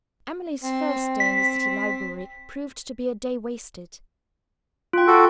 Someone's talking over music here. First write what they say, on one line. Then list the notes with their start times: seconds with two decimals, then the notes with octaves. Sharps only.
Emily's first day in the City library proved to be a day wasted.
0.63 C4
1.20 B6
1.38 B6
4.93 F4 G5
5.07 F#4 A4